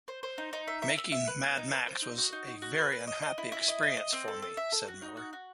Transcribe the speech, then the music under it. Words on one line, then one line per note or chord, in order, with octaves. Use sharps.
"Making "Mad Max" was a very unhappy experience for me," said Miller.
C5
C5
D#4
D#4
E5
E5
E5
E5
B4
B3
D#4
B4
C5
D#4
F#4
D#4
D#4
F#4
B4
B4
D#5
D#5
E4
E4
D#5
D#5
D#5
C4
A4
A4
E5
A4
F#4
D#4
F#4
F#4